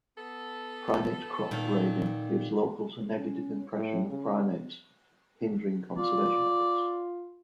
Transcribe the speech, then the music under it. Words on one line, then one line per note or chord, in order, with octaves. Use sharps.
Primate crop raiding gives locals a negative impression of primates, hindering conservation efforts.
B3 A4
A#2 D#3
C#4
A2
C#3
F4 D5